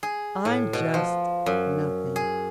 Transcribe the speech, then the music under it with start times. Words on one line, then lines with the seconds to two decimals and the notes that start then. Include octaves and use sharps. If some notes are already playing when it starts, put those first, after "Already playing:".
"I'm just nothing."
0.03 G#4
0.45 A2
0.73 B2
0.94 F3
1.46 F#2
2.16 G#4